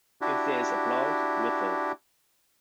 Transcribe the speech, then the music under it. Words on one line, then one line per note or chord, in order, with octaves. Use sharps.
If there is applause, whistle.
D4 E4 F#4 G4